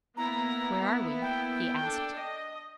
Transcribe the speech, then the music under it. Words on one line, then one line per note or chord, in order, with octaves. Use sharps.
'Where are we?' he asked.
A#3 B3 E4 A#5
G5
D4 A4
D#5